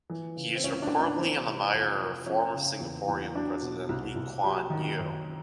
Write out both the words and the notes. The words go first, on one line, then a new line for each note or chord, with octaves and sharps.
He is reportedly an admirer of former Singaporean president Lee Kuan Yew.
E3
C#3
C4
C#2 C#4
D4
C#2
D4
E3 C4
C3
F2
F2
F3 C#4
C#3
E2
E2
F#3 D4
B2
C2
C2
F#3 G4
D#3
F#2